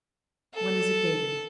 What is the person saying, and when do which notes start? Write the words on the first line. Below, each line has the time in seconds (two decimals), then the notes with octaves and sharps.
When is it dated?
0.54 A4